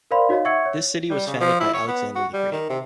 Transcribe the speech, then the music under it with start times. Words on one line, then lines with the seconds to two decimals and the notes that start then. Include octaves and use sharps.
This city was founded by Alexander The Great.
0.11 A#4 C5 D5 F5 B5 C6
0.29 D#4 F#4 C#5 D#5 F5
0.45 E5 F#5 C#6 E6 G#6 C#7
0.65 C#5
1.10 G3
1.27 C#3
1.40 F3
1.60 E4
1.74 C#5
1.88 B3
2.16 F#4
2.34 G3
2.52 D#3
2.70 C3